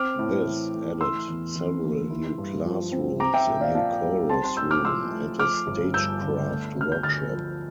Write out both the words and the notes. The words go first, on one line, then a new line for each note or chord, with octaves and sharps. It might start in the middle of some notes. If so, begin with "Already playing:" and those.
This added several new classrooms, a new chorus room, and a stagecraft workshop.
Already playing: C4 D6 F6
A2
E3
A3
E4 C6 E6
E2
E3
A#3
E4
G2
F3
C4
C4 A#5 D6
E5 G5
A#1
D5 F5
A#2 F5 A5
G3
C4 A5 C6
A5 C6
A2 E6 G6
D6 F6
F3 C6 E6
A3
F3 D6 F6
G1
G2 E6 G6
D3
A3
D2 F6
G6
D3 F6 A6
F3